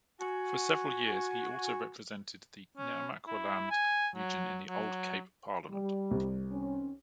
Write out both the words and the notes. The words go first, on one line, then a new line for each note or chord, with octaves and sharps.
For several years he also represented the Namaqualand region in the old Cape Parliament.
F#4 G#5
C#4
E4
G#5
F#3
F#3
G3
C2
D#3 C4 C#4